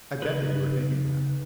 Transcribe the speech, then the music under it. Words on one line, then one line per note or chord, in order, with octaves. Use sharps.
I bet that you are thinking that.
C#3 D#4 G#4 B4